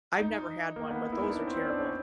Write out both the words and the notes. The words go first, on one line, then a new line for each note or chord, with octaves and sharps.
I've never had one, but those are terrible.
D#4
A#3
B3
E4
D#4
D4
C#4
C4
C#4
D4
C#4